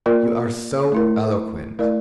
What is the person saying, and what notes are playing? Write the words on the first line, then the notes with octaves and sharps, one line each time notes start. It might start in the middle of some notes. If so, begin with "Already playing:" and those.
You are so eloquent.
A#3 F4 A#4 D5
A3 E4 A#4
A3 E4 A#4 D5